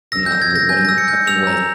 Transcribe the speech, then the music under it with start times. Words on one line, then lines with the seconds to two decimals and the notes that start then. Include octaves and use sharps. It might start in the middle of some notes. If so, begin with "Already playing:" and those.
when, uh w what ended up happening was
0.12 E6 A#6
0.26 G6
0.32 E6
0.42 G#6
0.51 E6 A#6
0.69 G#5 G6
0.85 E6 A#6
0.98 C#7
1.08 G6
1.27 E6 F7
1.47 A#5